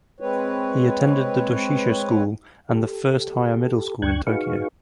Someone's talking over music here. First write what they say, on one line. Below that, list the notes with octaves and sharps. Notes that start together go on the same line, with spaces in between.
He attended the Doshisha School and the First Higher Middle School in Tokyo.
G#3 C4 B4 C#5
G4 A4
D2 D4 G5 C#6 F#6 G#6
D#4 F#4 G#4 B4 F5 C#6